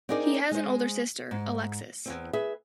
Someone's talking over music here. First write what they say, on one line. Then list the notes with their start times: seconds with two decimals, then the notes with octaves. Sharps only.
He has an older sister, Alexis.
0.09 C4 D4 D#4 G#4 A#4 D5
0.51 G#3 C5
1.31 G#2
2.06 E2 G#2 C4
2.33 G#4 B4 E5